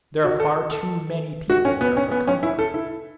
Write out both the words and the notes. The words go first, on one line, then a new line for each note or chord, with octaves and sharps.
There are far too many people there for comfort.
F#4
A4
A4
F#4
C#4
B3
C#4
B3
C#4
E4
A4
E4